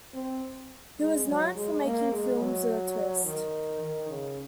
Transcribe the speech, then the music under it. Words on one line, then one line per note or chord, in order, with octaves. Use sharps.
He was known for making films with a twist.
C4
G#3
F#3
G#3
A#3
G#3
F#3
D#3
D#3
C#3